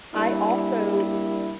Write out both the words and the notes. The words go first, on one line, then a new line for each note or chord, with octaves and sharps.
I also
G3 A#3 D4 E4